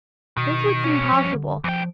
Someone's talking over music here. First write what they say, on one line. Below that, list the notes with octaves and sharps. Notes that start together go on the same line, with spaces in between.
This was impossible.
B2 D#3
G2 C#4
F3
D3
E2 F3 G5